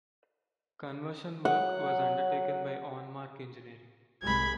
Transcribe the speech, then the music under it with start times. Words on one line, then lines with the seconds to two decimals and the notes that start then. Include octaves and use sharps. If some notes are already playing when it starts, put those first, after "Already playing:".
Conversion work was undertaken by On Mark Engineering.
1.45 F#3 F#5
4.22 C2 G#3 B5 G#6